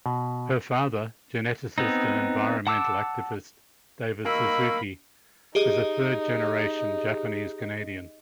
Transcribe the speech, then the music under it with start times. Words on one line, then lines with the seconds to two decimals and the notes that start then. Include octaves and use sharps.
Her father, geneticist and environmental activist David Suzuki, is a third-generation Japanese Canadian.
0.06 B2
1.78 B3 C4 D#4
2.67 F#5 A5 D6 E6
4.25 A#3 D#5 B5 C#6 E6
5.55 D#4 G4 G#4 D#5